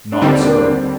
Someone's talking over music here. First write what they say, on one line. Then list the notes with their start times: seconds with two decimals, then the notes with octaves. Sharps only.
Not so.
0.12 D4
0.21 D#2 D3 G3 C4 D#4
0.43 A#3 D4
0.58 D4
0.65 C4